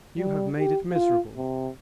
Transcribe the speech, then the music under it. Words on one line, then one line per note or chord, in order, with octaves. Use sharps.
You have made it miserable.
G3
G4
F4
C3